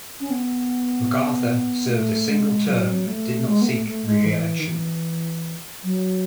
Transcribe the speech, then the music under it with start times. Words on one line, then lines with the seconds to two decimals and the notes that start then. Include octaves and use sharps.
McArthur served a single term and did not seek re-election.
0.20 C#4
0.30 B3
1.89 A3
2.28 G#3
2.67 F#3
3.07 A3
3.47 G#3
3.62 B3
3.66 A3
3.86 A3
4.06 G#3
4.25 E3
4.59 D#3
4.65 E3
5.84 F#3